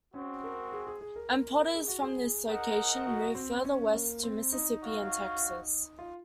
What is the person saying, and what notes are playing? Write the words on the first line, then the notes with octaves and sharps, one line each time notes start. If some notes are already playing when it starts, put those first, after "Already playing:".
And potters from this location moved further West to Mississippi and Texas.
G#3 C4 C#4 F#4
A#4
G#4
G#4
G#4
A#4
A#4
A#4
G#4
F#4
G#4
D#4 A#4 D#5 F#5
F#4
C4
C#4
A#3
C4
D#4
F#4 C#5 F5
F4